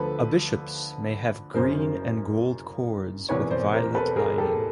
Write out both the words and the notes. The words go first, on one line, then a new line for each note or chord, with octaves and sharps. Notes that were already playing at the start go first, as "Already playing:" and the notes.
A bishop's may have green and gold cords with violet lining.
Already playing: D2 D3 F3 A4 B4
F#1 F#2 C#3 A#4 C5
E1 E2 C3 E3 B4 C#5
C5 D5
A#4 C5
A4 B4
G#4 A#4
G4 A4